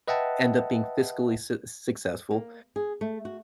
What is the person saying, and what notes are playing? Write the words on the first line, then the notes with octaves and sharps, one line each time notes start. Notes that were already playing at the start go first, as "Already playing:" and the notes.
end up being fiscally succes successful,
B4 D#5 E5 F#5 G5 A5
A#3
G#4
A3
F#4